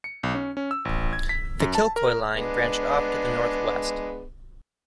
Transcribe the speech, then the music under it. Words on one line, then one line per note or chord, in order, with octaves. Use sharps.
The Kilcoy line branched off to the north-west.
C#7
B1
C#4
C#4
E6
A1
G#6
B6
F#2
A5
A#4
G#3 B3 D4